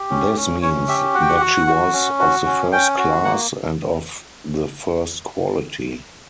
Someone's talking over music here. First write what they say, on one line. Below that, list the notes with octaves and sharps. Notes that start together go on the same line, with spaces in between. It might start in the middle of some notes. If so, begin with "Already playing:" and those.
This means that she was 'of the First Class' and 'of the First Quality'.
Already playing: G4
C#4
C#4
C#4 C#5
G4 E5
F#4 F#5
G5
F#5
F#4
F#4
C#4
F#4
C#4
C#4 G5
F#4
A#3 F#5